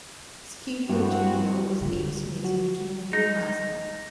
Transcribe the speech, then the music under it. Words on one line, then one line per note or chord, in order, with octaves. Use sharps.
Skip Virgilio was AleSmith's original brewmaster.
G2 C4 E4 F#4
D3 F4
F#3 F#4
D#4